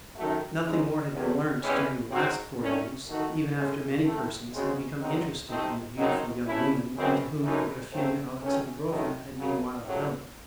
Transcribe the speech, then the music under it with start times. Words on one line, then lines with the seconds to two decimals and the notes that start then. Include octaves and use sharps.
Nothing more had been learnt during the last four years, even after many persons had become interested in the beautiful young woman into whom Agrafena Alexandrovna had meanwhile developed.
0.16 F#2 D#3 F#3 A3
0.65 C#3 G#3 D#4
1.13 E2 C3 D#3 F#3 A3
1.61 E2 C3 E3 G#3 C#4
2.10 G#2 F#3 C4 F#4
2.58 C2 C3 D#3 A3 C#4
3.07 D#3 A3 D#4 F#4
3.55 A2 G#3 C#4 G#4
4.04 D#3 A3 C4 E4
4.52 C#3 G#3 C4 F#4
5.01 E2 C#3 F#3 C4 D#4
5.49 C3 D#3 A3 C4 D#4
5.97 F#2 C#3 F#3 C4 D#4
6.46 C3 E3 A3 C#4 E4
6.94 F#2 C#3 E3 G#3 C4
7.42 F#2 E3 A3 D#4
7.91 D#2 C#3 F#3 A3 C4
8.39 C#2 C3 D#3 A3 C#4
8.88 F#2 D#3 A3 D#4
9.36 F#2 C#3 F#3 C#4
9.85 C#2 C3 F#3 A3